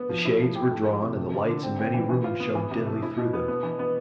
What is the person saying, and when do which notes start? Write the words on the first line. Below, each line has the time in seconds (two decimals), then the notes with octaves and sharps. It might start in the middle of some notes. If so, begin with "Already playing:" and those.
The shades were drawn, and the lights in many rooms shone dimly through them.
Already playing: B3 B4
0.09 F3
0.25 E4
0.40 F3
0.55 G4
0.70 A3
0.86 F3
1.02 C3
1.17 A3
1.33 D3
1.48 D3
1.63 C4
1.79 C4
1.94 E3
2.09 E3
2.24 F4
2.40 B3
2.55 E3
2.71 C3
2.86 A3
3.03 E4
3.17 B2
3.33 B3
3.48 B3
3.63 E3
3.79 B3